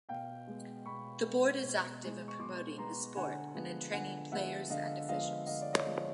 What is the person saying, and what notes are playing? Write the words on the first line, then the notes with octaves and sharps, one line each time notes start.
The Board is active in promoting the sport and in training players and officials.
B2 F5 G5
G#3 B3
B2 B5 C#6
G#3 B3
B2
G#3 B3
C#6
B2 C6 D6
G#3 B3 A#5 C6
D3 F#5 G#5
F3 G#3 B3
D3 F#5 G#5
F3 G#3 B3 E5 F#5
D3 D#5 F5
F3 G#3 B3 D#5 F5
D3 D#5 F5
D5
C#5 D#5
F3 G#3 B3
C#5